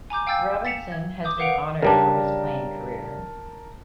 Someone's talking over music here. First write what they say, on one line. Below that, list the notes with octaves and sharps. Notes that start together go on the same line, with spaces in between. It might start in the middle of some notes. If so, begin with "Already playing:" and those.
Robinson has been honoured for his playing career.
G#5 A#5 D6 G6
F5 G5 G#5 E6 G6 A6
A6 B6 C#7 E7 F7
G#6
D6 D#6 G6
A#4 B4 F5 F#5 D7 F7
C#3 G3 D4 A#4 A5